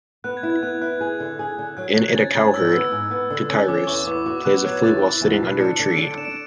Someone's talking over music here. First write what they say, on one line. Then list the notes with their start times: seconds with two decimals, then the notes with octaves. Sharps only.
In it a cowherd, Tityrus, plays a flute while sitting under a tree.
0.24 B3 F#6
0.37 G#6
0.43 E4
0.50 G#6
0.63 B3 F#6
0.81 E4 F#6
1.01 G#4 G#6
1.20 D3
1.39 G#4
1.59 D3
1.77 F#3 F#6
1.97 F#3
2.08 G#6
2.15 C#4 A6
2.35 C#4 G#6
2.54 G#2 E6
2.73 B3 E6
2.92 G#2
3.11 B3
3.31 D3
3.50 C#4
3.68 C#4 D6
3.87 E2 C#6
4.07 B3 D6
4.26 F#4 C#6
4.45 B3 F#6
4.64 F#3
4.84 E2 A6
5.02 E4
5.21 E2
5.41 B2
5.60 D4 C#7
5.79 D3 C#7
5.90 C#7
5.98 D4 D7
6.18 D4 E7
6.25 D7